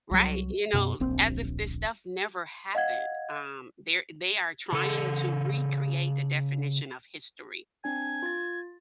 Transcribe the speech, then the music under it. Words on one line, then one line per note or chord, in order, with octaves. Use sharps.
Right? You know, as if this stuff never happened, um, they're they are trying to recreate the definition of history,
C2 F#3
F#2 B2
D1 A#1 C4
D#5 F5 F#5 G#6
C#3 A4
C4 D4 G#5 G#6
F4 A6